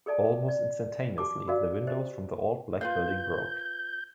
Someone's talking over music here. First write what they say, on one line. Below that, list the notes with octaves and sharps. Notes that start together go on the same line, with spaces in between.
Almost instantaneously, the windows from the old black building broke.
G#4 A4 D5 A5
D5
G4 A5 D6
F#4 A#4 D5 F5
G4 C5 D#5
F4 B4 F5 G6